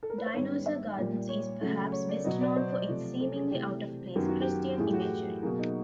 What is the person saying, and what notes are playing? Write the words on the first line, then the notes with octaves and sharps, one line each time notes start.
Dinosaur Gardens is perhaps best known for its seemingly out-of-place Christian imagery.
A4
A#4
B4
C5
G#2 D#3 G3 B3 C#5
E5
A#2 G3 A#3
C#5
C#3 F#3 A3
C#5
D5
B2 F#3 B3 D#5
D5
C5
D5
C3 F3 A3
A4
G#4
C3 E3 A3 G4
F#2 D#3 F#3 B3 G4
F#4
G4
A2 E3 A3 G#4
G4
F#4
G4
B2 F#3 A#3 G#4
D#4